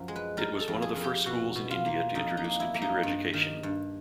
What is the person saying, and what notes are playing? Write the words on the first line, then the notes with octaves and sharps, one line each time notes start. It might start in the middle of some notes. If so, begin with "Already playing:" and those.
It was one of the first schools in India to introduce computer education.
Already playing: F#2 F3
G#3
B4
G3 A#4
A4
F2
G#4
F2
G4
B2 F#4
B2
F4
A#3
F2 D#4
D#4
A#3
E4
A#3
D#4
G2
D#3
G2